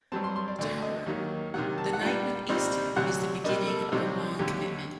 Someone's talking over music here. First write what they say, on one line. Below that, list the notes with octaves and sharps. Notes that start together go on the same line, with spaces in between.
To her, the night with Easton is the beginning of a long commitment.
G2 F#3 C4 A5
C6
C6
D5
D2 D3 A3 D5
D#5
D#2 D#3 F#3 A#3
C3 D#3 F#3 F#5
A5
F#5
A#2 G3 D4 G5
C2 A#2 G3 C4 D#4
D2 C3 F#3 F#5
C3 G3 A#3 D4 D#5
A4
C2 C3 F#3 C4 D#4
D#2 D3 F#3 G4